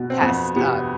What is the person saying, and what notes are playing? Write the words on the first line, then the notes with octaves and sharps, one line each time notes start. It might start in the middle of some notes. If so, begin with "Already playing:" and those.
past, uh,
Already playing: B2
C4
F2 B3
C3 B3